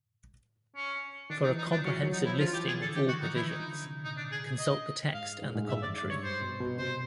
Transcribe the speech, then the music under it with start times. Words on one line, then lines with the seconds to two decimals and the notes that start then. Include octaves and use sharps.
For a comprehensive listing of all provisions, consult the text and the commentary.
0.76 C#4
1.30 D#3 D4
1.43 D#4
1.49 E3
1.58 D#4
1.67 F3
1.71 D4
1.85 F#3 C#4
2.03 F#3
2.12 D#4
2.22 F3
2.26 E4
2.39 F3 F4
2.53 E3 G4
2.68 G#4
2.81 D3 A4
2.95 D#3 G4
3.08 F#3 F#4
3.22 F3 D#4
3.35 E3 E4
3.50 D#3 D#4
3.68 D3
3.86 C3
4.04 A#2 D#4
4.17 D4
4.32 G#4
4.59 D#5
5.14 G#2 F5
5.42 G#2
5.50 A2
5.55 G#2
5.69 G2 E5
5.82 D5
5.87 F#2
5.96 D5
6.06 G2
6.10 C#5
6.23 G#2 C5
6.42 B2
6.60 B2
6.78 C3 C5